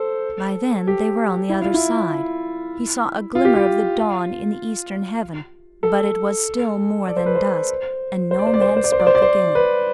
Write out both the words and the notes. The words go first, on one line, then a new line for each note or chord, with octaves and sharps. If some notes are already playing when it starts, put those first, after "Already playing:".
By then they were on the other side he saw a glimmer of the dawn in the eastern heaven, but it was still more than dusk, and no man spoke again.
Already playing: A4 C5
G4
E4
F4
E4
F4
G4
F4
A4
D5
C5
B4
C5
C5
D5
C5
D5
C5
D5
C5
D5
C5
D5
C5
D5
C5
B4